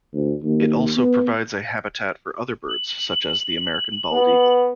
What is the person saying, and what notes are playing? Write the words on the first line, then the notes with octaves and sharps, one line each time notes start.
It also provides a habitat for other birds, such as the American bald eagle.
D2
D#2
B3
F#7
B3